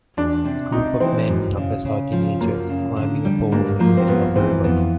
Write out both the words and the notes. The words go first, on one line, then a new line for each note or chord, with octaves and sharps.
A group of men of assorting ages, climbing a pole in the middle of a river.
E2 D4
C3
C3 D#4
E3 C4
F#2
C#3
C#3
F3
F#2 A#3
C#3
D3
G3
G#2 A#3
F3 A#3
C4
G2 B3
E3 C4
F2 B3